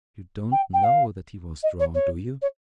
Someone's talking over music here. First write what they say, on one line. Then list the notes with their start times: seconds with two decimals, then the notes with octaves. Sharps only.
You don't KNOW that he was drowned, do you?
0.52 G5
0.73 G5
0.84 F5
1.63 D#5
1.79 C#5
1.94 C#5
2.41 C#5